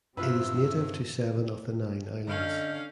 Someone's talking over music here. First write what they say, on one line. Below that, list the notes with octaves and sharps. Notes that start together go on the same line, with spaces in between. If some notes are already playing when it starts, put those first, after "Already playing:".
It is native to seven of the nine islands.
G2 C3 E4 F4 B4 E6
D3 C#4 D4 A4 D#5 F5 G6